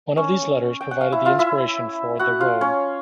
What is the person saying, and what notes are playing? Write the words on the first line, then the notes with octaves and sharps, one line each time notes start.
One of these letters provided the inspiration for "The Robe".
C#4 C#5
G5
F#5
F5
E4 E5
F4 F5
E4 E5
F#4 F#5
F4 F5
C#4 C#5